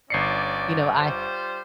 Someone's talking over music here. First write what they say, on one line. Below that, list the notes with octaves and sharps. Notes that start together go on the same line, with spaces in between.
you know, I
G1 C#4 D5 C7 C#7
G3 F4 C5